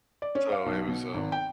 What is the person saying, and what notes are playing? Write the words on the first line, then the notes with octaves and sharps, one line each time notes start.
so it was, um,
D5
C#4
F5
B1
B2
G#1
G5